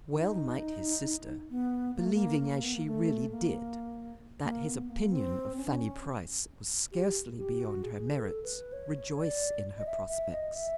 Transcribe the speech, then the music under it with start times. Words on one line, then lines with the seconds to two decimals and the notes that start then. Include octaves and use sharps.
Well might his sister, believing as she really did that his opinion of Fanny Price was scarcely beyond her merits, rejoice in her prospects.
0.15 D#4
1.50 B3
1.96 A#3
2.05 A3
2.14 A#3
2.40 A#3
2.63 B3
2.74 A#3
2.86 A3
3.31 A#3
4.44 A#3
4.67 B3
4.89 A#3
5.12 C4
5.57 C#4
5.66 D4
5.76 C#4
6.92 G4
7.38 G4
7.60 F#4
7.83 G#4
8.13 A4
8.43 B4
8.73 C#5
9.18 D5
9.78 D#5
9.86 E5
10.08 E5
10.31 D#5
10.54 E5